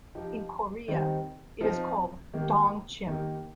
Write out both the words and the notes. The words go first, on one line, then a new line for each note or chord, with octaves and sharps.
In Korea, it is called ttongchim.
F3 D#4 G4
D#3 G3 C4 D#4
F3 C4 D#4
D#3 A#3 G4
D#3 A#3 D#4 G4